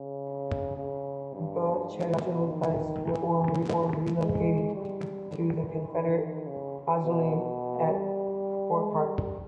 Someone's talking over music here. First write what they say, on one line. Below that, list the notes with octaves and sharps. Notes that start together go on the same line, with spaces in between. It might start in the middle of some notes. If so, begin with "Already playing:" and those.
Both generals' busts were therefore relocated to the Confederate Monument at Forsyth Park.
Already playing: C#3
C#3
G2
G#2
B2
D#3
E3
G#3
G3
G3
E3
D#3
C#3
B2
G3
G#3
G3